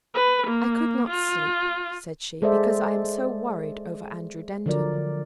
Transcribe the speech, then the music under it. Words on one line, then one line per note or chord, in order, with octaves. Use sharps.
"I could not sleep," said she, "because I am so worried over Andrew Denton."
B4
A#3
F4
G#3 A4 C5 D5 E5
D3 F3 F#3 A#4 D5